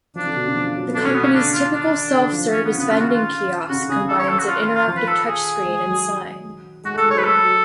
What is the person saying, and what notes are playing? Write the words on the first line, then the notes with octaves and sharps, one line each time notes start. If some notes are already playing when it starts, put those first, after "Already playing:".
The company's typical self-service vending kiosk combines an interactive touch screen and sign.
F3 D4
D3
B2
C#3
F3
F#3
B3
A3 D4
C#4
B2
B3
C#3 C#4
D3 D4
F4
D4
D3
F3
D3 C#4
F3 B3
C#3 B3
C#3 F4
F#4
F4
C#3 F#4
C#3 G#4
A4
C#5
A4
F#4
F4
F4
F4
F3
B4
A4
G#4
G#3
F#3
G#3 F#4
A3
A4
G#3
F#3 C#5
B4
A4
F#3